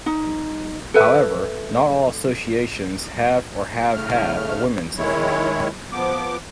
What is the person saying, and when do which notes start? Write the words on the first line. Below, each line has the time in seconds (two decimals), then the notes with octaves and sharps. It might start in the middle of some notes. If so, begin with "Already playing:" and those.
However, not all associations have or have had a women's league.
0.06 D#4
0.94 A4 B4 E5
3.94 A2 C#3 A3 F6
4.97 D#3 G#3 E4 C#5
5.92 F3 B3 D6